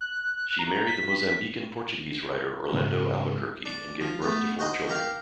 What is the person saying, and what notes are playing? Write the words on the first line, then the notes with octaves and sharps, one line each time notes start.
She married the Mozambican-Portuguese writer Orlando Albuquerque and gave birth to four children.
F#6
A#5
B6
G#2 C#3 G#3 C4
D4 D6
F3
A3 B3
F#4 C5 D#5
G4 A#4 F5